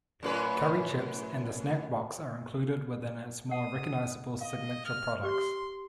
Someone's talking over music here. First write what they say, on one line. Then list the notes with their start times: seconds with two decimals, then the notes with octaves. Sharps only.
Curry Chips and The Snack Box are included within its more recognisable signature products.
0.23 F#2 A2 B4
3.51 F#5 D#6
4.41 D#5 F5
4.85 F6
5.23 G4 B4 C6